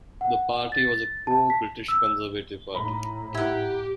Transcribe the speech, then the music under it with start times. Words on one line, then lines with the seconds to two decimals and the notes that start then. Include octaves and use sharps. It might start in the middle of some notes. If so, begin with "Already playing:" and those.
The party was a pro-British conservative party.
0.21 F#5
0.72 A6
1.27 A5
1.50 B6
1.88 E6
2.74 A2 A#5 B5
3.35 E4 G4 F#5